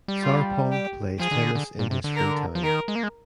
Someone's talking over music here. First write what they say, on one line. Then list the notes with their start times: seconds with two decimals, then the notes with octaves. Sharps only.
Sarpong plays tennis in his free time.
0.08 G3
0.23 F4
0.72 G4
1.19 F3 G#4
1.31 D3
1.37 D#3
1.44 D3
1.55 D3
1.79 A#2
1.91 C3
2.04 D3
2.16 A#4
2.55 F3
2.63 D#3 A#4
2.88 G#3
2.95 A#3
3.03 G#3